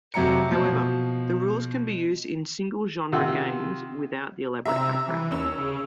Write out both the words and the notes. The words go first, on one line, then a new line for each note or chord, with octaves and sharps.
However, the rules can be used in single-genre games without the elaborate background.
F2 C3 F#3 E5 A#5 C#7
B2 F3
C3 D#3 F4 F#5 E6
C3 E5 A#5 E6
E3
D#2 C#4 E6
C#3